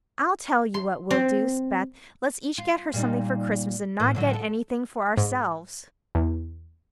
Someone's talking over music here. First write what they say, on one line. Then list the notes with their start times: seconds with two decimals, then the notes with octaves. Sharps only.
"I'll tell you what we'll do," said Beth, "let's each get her something for Christmas, and not get anything for ourselves."
0.74 C6
1.11 C4
2.58 F4
2.93 A#2 G3 D#4
4.00 A2 E3 A#3
4.15 A2 D3 F#3
4.33 A4
5.17 G#2
6.15 E2